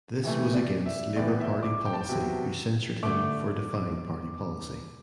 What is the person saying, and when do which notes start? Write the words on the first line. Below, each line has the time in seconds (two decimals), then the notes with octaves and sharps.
This was against Labour Party policy who censured him for defying party policy.
0.23 C3 E3 A3
0.54 D5
0.86 E5
1.16 A2 E3 B3 D5
1.40 E5
1.63 D6
1.86 G5
1.93 A5
2.00 G5
2.09 C3 F#3 B3
3.03 D3 A3 D6